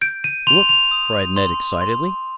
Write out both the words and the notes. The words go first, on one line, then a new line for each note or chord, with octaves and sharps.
"Look!" cried Ned excitedly.
G6 D7
D#7
C6 F7
F7
D#6
C6
C6